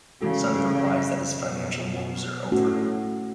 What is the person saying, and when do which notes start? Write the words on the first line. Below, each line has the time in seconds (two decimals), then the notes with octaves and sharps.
Sunny replies that his financial woes are over.
0.21 C#3 E3 G#3 C#4 F#4 A4
1.37 B2
2.51 A2 A3 C#4 F#4